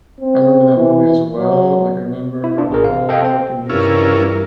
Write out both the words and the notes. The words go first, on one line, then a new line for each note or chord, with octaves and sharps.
I remember that movie as well, like, I remember, like, all, like, the music
C4
E3
F#3
E4
D4 F4
A1 G#4 A#4
F5
A4 D#5 F5 G5
C4 G5
G2 E3 G3 C#4 E4 F4 A#4